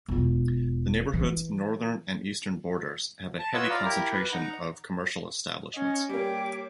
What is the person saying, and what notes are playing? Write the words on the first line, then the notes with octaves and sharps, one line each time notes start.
The neighborhood's northern and eastern borders have a heavy concentration of commercial establishments.
E1 F4
E3
A5
F4 B4 C#5 D#5 F#5 E6
F4 D5 F5 A#5
E4 G4 A#4
B4
D#4 F#5 A#5
C#4 D#5
G3 A#3 G4 C#5 D6